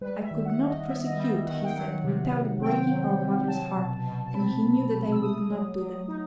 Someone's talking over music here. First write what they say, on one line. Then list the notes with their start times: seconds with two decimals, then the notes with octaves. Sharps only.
I could not prosecute, he said, without breaking our mother's heart, and he knew that I would not do that.
0.01 G3 B4
0.23 E5
0.31 D#3
0.45 F#5
0.60 D#3
0.67 D#5
0.88 B3 E5
1.07 D#5
1.17 G3 E5
1.46 D#3 F#5
1.64 G5
1.75 F#3 F#5
2.03 C3
2.34 C3
2.61 C4 G5
2.90 F#3
3.19 C3
3.48 F#3 A5
3.78 B2
4.06 B2
4.26 A5
4.34 C4 B5
4.64 F#3
4.93 B2
5.12 E6
5.22 A3 D#6
5.50 F#3
5.79 F#3
6.08 D#4